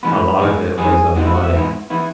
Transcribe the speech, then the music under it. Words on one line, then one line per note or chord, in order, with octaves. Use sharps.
a lot of it was a modded
G#2 E3 G#3 B3 B4
G#2 E3 G#3 B3
G#2 E3 G#3 B3 G#4
G#2 E3 G#3 B3 F#4
E4
F#4
E5
G#2 E3 B3 E4
E3 B3 E4